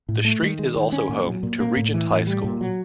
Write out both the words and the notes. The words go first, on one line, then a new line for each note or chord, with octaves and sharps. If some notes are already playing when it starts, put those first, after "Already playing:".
The street is also home to Regent High School.
A2
A3
D#3
G#3
D#3
C#4
A#2
F#3
A#2
A#3
A2
E3
A2
G3
A#2
F#3